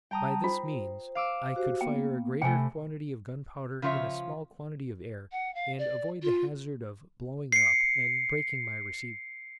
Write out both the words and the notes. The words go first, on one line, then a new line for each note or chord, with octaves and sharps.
By this means I could fire a greater quantity of gunpowder in a small quantity of air, and avoid the hazard of blowing up, and breaking my receiver.
G3 G5 A5 A#5 D#6
F4 C5
F5 D6 E6
F#4 G4 C5
A#3 B3 G5
C3 A3 G5 G#5 B5
C#3 F3 F4 C#5 E5
F#5
F5
D5
F4
C7 C#7